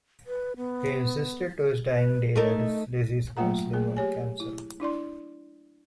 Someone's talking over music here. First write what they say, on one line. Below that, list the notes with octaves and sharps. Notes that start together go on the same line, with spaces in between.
He insisted to his dying day that his disease was liver cancer.
B4
B3
B4
A3 D#4 A#4 D#5
F#3 A3 A#3 F4 F#5 A#5
A3 A#3 G#4
G4 C#5 G#5
E4
D4 E4 D5 C6